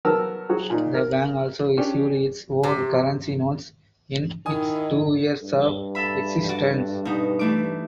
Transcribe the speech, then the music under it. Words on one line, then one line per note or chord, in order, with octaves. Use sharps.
The bank also issued its own currency notes in its two years of existence.
F#3 B3 A#4 A5 E6
F#3 F#4 G#4
A#2 D#4
A#4
C#4 D4 G4
C3
D#3 D#4 E4 G#5 D#6
G2
A4 E5 B5
F#4 D5
B2 D#4
E3 A3 D6